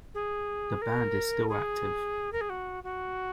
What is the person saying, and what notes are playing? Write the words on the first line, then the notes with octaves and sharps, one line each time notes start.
The band is still active.
G#4
A#4
G#4
A#4
G#4
F#4
F#4